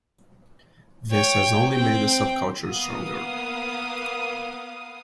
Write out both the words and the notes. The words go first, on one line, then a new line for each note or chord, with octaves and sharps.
This has only made the subculture stronger.
C#5 G5
C4 G5
A#3 B3 F5 D#6